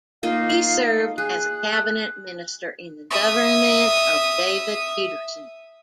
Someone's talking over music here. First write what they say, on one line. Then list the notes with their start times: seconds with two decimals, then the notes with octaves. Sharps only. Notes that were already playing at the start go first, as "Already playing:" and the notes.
He served as a cabinet minister in the government of David Peterson.
0.23 A#3 D#4 F4 F5
0.50 F4
1.18 G#4 F#6
3.10 E5 D#6